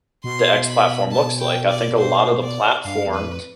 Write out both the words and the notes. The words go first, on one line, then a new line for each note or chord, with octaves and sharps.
the X platform looks like. I think a lot of the platform
B2 C6
B5
A5
G5
D5
C5
D5
G2 F5
E2
F2 B4